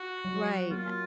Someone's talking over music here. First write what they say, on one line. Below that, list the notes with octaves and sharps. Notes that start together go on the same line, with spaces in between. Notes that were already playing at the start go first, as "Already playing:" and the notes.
Right, a
Already playing: F#4
F#3
A#3 F4